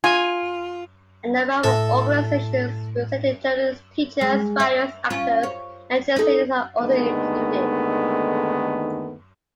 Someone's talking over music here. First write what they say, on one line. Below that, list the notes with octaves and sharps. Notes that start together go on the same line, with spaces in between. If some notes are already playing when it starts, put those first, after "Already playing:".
A number of organizations representing journalists, teachers, writers, actors and translators are also included.
F4 G#5
A2 A4 E5 A#6
G#3
E5
C#4 F4
C#5
D#4 A4
D#2 D3 D#3 G#3 A3 B3